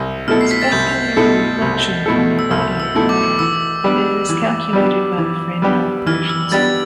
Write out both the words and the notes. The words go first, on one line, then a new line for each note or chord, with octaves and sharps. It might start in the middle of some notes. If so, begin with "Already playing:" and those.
Specular reflection from a body of water is calculated by the Fresnel equations.
Already playing: C2
B2 A3 E4 A4 F6
C7
B6
A6
C2 G6
B2 A3 E4 A4
C2
B2 A3 E4 A4
E6
C2 F6
E6
B2 A3 E4 A4
D6
E3 E6
G3 B3 D4 G4
E3
G3 B3 D4 G4
E3
G3 B3 D4 G4
E3 F6
E6
G3 B3 D4 G4 A6